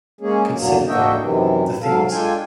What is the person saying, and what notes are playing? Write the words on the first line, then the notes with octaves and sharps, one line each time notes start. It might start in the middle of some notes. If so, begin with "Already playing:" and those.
Consider though, the themes.
G#3 A#3 C#4 G#4
E2 G2 F#3 A#3
A#3 D4 F#4 D#5 E5 G5
F#2 C3 D#3 E3
G#2 F#3 A4 F5
G#3 D4 F4 A4 G5 G#5